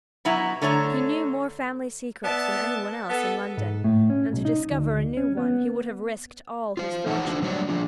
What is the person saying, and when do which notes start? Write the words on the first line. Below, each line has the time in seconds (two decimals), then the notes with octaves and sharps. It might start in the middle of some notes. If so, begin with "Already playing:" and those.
He knew more family secrets than any one else in London, and to discover a new one he would have risked all his fortune.
0.25 B2 F#3 E4 A#5
0.62 D3 A3 C#5 A#5
2.24 B3 D5 E5 A5
3.09 B3 A4
3.57 G#2
3.84 A2
4.10 C#4
4.33 B1
4.45 D#4
4.71 D2
5.17 C#4
5.37 B3
6.77 F4 C5
7.06 E3 D#4 C#5 F#5 G#5 A5
7.27 D4 F#4 C5
7.42 F#3 G3 D4 C#5 D5
7.69 F3 D4 F4